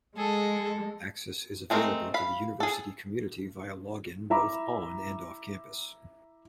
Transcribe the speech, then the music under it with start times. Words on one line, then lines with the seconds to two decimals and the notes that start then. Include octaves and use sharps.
Access is available to the university community via login both on and off campus.
0.17 G#3 G#4 A4
1.70 G#3 A3 C4 A#4
2.14 F5 B5
2.60 G#4 A4
4.30 E4 E5 A#5 B5 D6